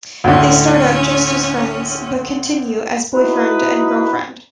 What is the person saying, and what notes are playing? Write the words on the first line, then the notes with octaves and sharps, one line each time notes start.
They start out just as friends, but continue as boyfriend and girlfriend.
D2 A2 D3 C#4
D#4 E4 F#4 B4